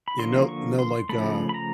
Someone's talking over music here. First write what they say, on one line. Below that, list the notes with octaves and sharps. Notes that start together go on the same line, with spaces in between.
You know no, like, uh,
B5
D3 F3 A#3 C6
C#6
C6
C#3 F3 A3 B5
B5
A#5